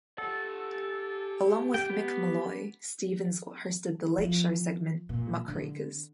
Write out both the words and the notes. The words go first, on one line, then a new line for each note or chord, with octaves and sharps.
Along with Mick Molloy, Stephens hosted the "Late Show" segment "Muckrakers".
G4 A4 F#5
G5
B3
F3
A#2
D3